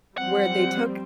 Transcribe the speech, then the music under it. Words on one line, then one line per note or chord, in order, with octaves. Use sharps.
where they took
F3 G3 C4 F#5